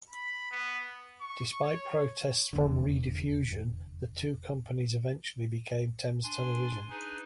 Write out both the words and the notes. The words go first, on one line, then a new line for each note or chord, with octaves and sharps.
Despite protests from Rediffusion, the two companies eventually became Thames Television.
B5
B3
C#6
C#5
F1 E2 D3
D4 G#5 C6
D4 D#4 G#4 B4 G#5